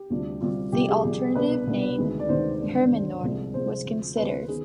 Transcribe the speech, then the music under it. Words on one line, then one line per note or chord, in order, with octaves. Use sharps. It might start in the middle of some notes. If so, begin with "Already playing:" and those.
The alternative name 'Herminoir' was considered.
Already playing: G4
D2 C3 G3 D4 F4
D2 C3 G3 D4 F4
C2 C3 F3 G4
G#4
C2 C3 F3
C2 B2 B3 D4 B4
C2 B2 B3 D4
D2 C3 D#3 G#3
D5
D2 C3 D#3 G#3 C5
G#1 G2 D3
G#1 G2 D3
C2 C3 F3 G#3
C2 C3 F3 G#3 C5
D2 C3 F3
D2 C3 F3 B4
D#3 B3 G#4